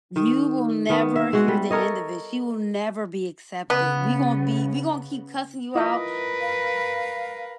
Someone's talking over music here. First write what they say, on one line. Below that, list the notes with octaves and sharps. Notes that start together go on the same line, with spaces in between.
You will never hear the end of it; she will never be accepted. We gonna be we gonna keep cussing you out.
D#3
D#3 B3
E5
G#3 F#4
G3
A4 A#4 C#5 D#5
C#3 B3
E4 F4 A#4 B4 D#5
F5